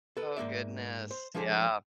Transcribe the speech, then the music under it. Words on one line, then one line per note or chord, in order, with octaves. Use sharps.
Oh, goodness, yeah.
A4 B4
G#2 A#3 D5 E5
C5
F3 G#3 D4 G#4 A4 C5